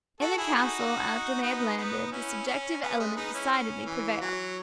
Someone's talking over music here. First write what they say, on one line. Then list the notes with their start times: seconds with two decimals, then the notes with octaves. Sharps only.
In the castle, after they had landed, the subjective element decidedly prevailed.
0.21 F#4 A4
0.38 E4 G#4
0.55 D#4 F#4
1.43 B3 D#4
1.77 B3 D#4
2.12 C#4 E4
2.47 C#4
2.82 B3
3.00 G#3
3.16 B3 D#4
3.34 C#4 E4
3.52 C#4
3.86 E3
4.21 F#3